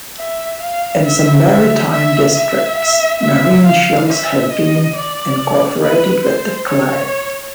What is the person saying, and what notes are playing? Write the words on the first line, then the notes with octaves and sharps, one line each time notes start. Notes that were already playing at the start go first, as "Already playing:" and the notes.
In some maritime districts, marine shells have been incorporated with the clay.
E5
F5
E5
E5
E5
E5
E5
E5
F5
E5
D#5
D5
B4
C5
C#5